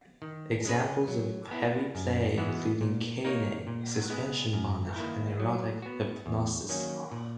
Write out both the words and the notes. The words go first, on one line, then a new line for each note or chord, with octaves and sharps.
Examples of heavy play includes caning, suspension bondage, and erotic hypnosis.
D#3
G#3 C#4 G#4 B4
F#3
B3 E4
F#2
E3 G#3 B3 F#4
A#2
A#3 D#4 A#4 C#5
A#2
G#3 B3
F#2
D#3 A#3 E4
F#3
B3 F#4
E2
D#3 F#3 A#3 C#4
A#2